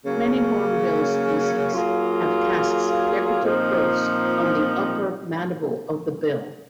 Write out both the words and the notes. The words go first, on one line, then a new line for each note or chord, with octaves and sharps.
Many hornbill species have "casques", decorative growths on the upper mandible of the bill.
C#3 F#3 A#3 C#4
F#3 A#3 F4 G#4
A#2 F3 C4 D#4